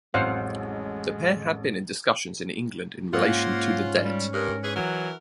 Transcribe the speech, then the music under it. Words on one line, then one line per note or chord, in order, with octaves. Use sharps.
The pair had been in discussions in England in relation to the debt.
A1 F2 F#3 G#3 C5 F5 F#5
G#2 A#3 C#4 F4 C5 F#5
G3
G2 A#4
E2 G#4 B4
E3 F#3 E4 F#4 A#4